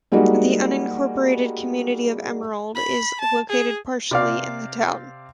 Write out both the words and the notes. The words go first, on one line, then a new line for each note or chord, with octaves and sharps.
The unincorporated community of Emerald is located partially in the town.
G3 G#3 A#3 D#4 F#4
B5
A5
G#4
C3 D5 F5